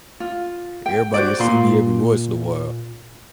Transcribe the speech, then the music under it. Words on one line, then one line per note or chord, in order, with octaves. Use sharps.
everybody will see me every once in a while.
F4
G5
F#4 C5 D5
A#2 C6